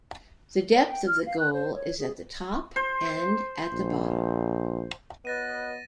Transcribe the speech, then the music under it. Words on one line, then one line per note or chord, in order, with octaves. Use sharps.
The depth of the goal is at the top and at the bottom.
C#5
G5
F6
F5
F#6
C5
C#5
G#4
C5
A#1
B3 F#4 B4 C#5 D#5 A6 A#6 D#7